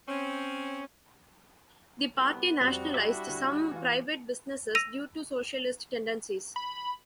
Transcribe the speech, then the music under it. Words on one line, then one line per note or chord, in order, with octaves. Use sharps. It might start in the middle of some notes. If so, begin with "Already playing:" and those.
The party nationalized some private businesses due to socialist tendencies.
C4 C#4
C2 B3 G5 D6
F2 G3 C4 F#4 F7
D4 E4 E5 D6 F#6
D2
E3 F4
E6 A#6 D#7 F7
B5